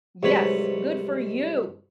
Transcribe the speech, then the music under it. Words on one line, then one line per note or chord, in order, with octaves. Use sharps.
Yes, good for you
C2 G#2 F#3 B4 C#5 B5